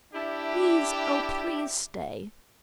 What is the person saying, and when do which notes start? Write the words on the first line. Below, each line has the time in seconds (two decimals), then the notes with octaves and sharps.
Please, oh! please stay.'
0.14 D4 E4 G4